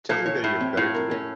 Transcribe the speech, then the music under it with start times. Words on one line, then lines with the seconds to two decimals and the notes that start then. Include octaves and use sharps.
Tell me that you are better today.
0.09 A#2 A4
0.26 C#5
0.44 A2 E4
0.61 C4
0.77 A2 F4
0.94 A#4
1.11 C#4